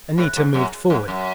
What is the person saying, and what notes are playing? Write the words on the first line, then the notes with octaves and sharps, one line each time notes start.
Anita moved forward.
A2
G#2
F#2
F#2
F#2